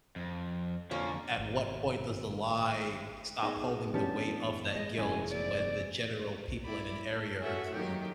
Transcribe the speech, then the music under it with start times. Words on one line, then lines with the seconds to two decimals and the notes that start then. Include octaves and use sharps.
at what point does the lie stop holding the weight of that guilt when the general people in an area or group,
0.16 F2
0.91 F2 D3 A#3 C#4 F4
1.38 G#1 D#3
3.43 B3 D#4 G#4 D#5
3.94 E3 G3 C#4 D4 G4 A5
4.76 G#3 D#5
4.98 F1 G#3 C#4 E4 G#4 G#5
5.32 E2 A#2 C4 D5
6.63 E4 D5 B5
7.09 A5
7.40 F#4 G#4 A4 C#5 E5 F#5
7.73 D#3 F#3 A#3 D#4 G4